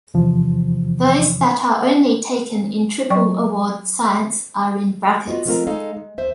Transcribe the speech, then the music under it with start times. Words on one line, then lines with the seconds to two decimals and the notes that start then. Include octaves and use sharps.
Those that are only taken in Triple Award Science are in brackets.
0.14 E2 C3 E3 F3
3.10 F#3 D5 G5 C#6
5.28 B3 F4 F#4 D#5
5.45 F3 G#3 A3 C4 F4 A#4
5.67 G#3 D#4 A4 D#5 F5
5.97 G#3
6.18 D#2 C5 E5